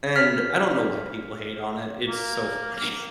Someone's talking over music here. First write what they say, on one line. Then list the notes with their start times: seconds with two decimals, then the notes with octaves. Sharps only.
and I don't know why people hate on it, it's so funny.
0.16 F6 B6
2.08 A#3